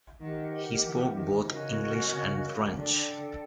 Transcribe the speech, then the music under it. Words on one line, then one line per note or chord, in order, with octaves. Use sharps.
He spoke both English and French.
D#3 G4 A#4 D#5 F#5
E3
D#3
C#3 C#4 F#4 A#4 D#5
C#3
C#3
D3 A4 D5 G5